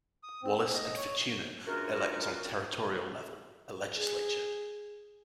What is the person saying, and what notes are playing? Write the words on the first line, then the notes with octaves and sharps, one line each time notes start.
Wallis and Futuna elects on territorial level a legislature.
D#6
C4
E6
D#5
C#5
C#2 F#2 D4 F4 F#4 A#4
G#4